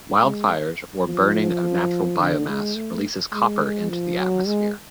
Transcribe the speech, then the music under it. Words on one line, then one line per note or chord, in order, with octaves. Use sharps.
Wildfires or burning of natural biomass releases copper into the atmosphere.
G#3
F3
D3
G#3
A3
G#3
F3
F#3
G#3